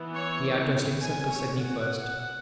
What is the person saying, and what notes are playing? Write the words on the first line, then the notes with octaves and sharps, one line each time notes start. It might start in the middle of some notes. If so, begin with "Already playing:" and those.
He addressed himself to Sydney first.
Already playing: E3 B3
C#5
G#5
C#5
F#5